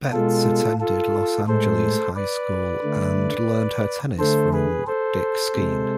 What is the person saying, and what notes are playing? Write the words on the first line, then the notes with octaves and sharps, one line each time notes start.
Betz attended Los Angeles High School and learned her tennis from Dick Skeen.
B2 G#3 F4 A4
F4 A4
A2 G#3 A4 C5
B4 D5
D3 A3
D3 A3 A4 C5
G#4 B4
A4 C5
C3 G#3